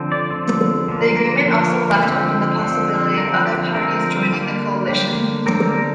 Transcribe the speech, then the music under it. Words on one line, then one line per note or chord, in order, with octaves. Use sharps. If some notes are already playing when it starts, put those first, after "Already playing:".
The agreement also left open the possibility of other parties joining the coalition.
Already playing: D3 F3 C4
D5
D3 F3 C4
D3 F3 A#3
A#4
D3 F3 A#3
A#4
D3 F3 C4 G4
D3 F3 C4
D3 F3 C4 A#4
G4
D3 F3 C4 A#4
D3 G3 A#3
D3 G3 A#3 G4
D3 G3 C4 A#4